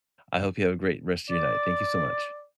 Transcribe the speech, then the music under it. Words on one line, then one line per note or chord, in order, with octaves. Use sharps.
I hope you have a great rest of your night, thank you so much.
D5